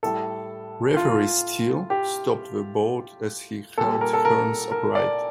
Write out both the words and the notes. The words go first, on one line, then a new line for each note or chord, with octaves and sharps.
Referee Steele stopped the bout as he held Hearns upright.
A2 G3 A4
F4
G4
A#2 G3 A4
A#4
A4
A#4
A#4
D5